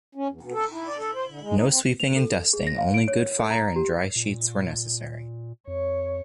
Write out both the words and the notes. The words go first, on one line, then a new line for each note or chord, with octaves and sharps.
No sweeping and dusting, only good fire and dry sheets were necessary.
C#4
E2
B2
A4
E4
D5
A4
C5
D3
G#3
D#4
C4
F7
A4
G#4
A#6
F5
D7
C#5
A4
A#5
G4
A#2
F2 C#5